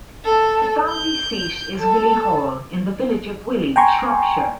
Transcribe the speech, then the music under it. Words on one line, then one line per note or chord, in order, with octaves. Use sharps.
The family seat is Willey Hall, in the village of Willey, Shropshire.
A4
G6
A4
G5 G#5 A#5 C6 C#6